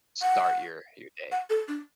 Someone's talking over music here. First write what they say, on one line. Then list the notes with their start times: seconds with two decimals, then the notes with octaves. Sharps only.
start your your day.
0.22 F#5
1.32 F#5
1.50 A4
1.68 D4